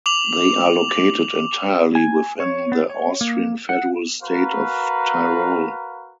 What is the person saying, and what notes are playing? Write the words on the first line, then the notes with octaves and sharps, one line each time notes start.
They are located entirely within the Austrian federal state of Tyrol.
D6 F7 F#7
G#5
C#5
B3
C#5
A#3
F#5
F#4 A#4 B4 F5 A#5